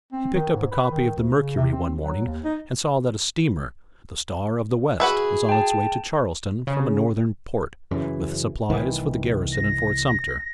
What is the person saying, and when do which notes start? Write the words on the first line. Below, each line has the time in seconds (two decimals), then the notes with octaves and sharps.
He picked up a copy of the Mercury one morning and saw that a steamer, the Star of the West, was on its way to Charleston from a northern port with supplies for the garrison in Fort Sumter.
0.13 C4
0.34 D#3
0.54 G#2
0.71 B4
0.90 D#3
1.16 D2
1.33 C#3
1.57 C3
1.72 C4
2.02 F#3
2.25 D#2
2.44 D#4
5.00 F#4 G#4 B4 E5
5.49 G5 A5
6.67 C#3
7.91 F#2 C#3 E3
8.70 C2 D#3 E3
9.53 A#6